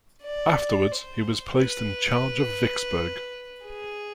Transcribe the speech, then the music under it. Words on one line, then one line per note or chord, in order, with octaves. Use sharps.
Afterwards he was placed in charge of Vicksburg.
D5
C5
B4
G#4